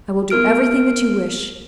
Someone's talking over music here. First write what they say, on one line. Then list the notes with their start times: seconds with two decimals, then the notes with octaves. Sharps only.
"I will do everything that you wish!"
0.30 B3 A#4 F6 D7